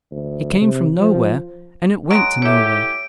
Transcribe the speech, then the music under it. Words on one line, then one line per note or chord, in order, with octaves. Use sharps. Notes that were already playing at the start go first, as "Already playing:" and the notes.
It came from nowhere, and it went to nowhere.
D2
C3
F3
F#3 G#3 D7
A2 E4 G4 C#5 E5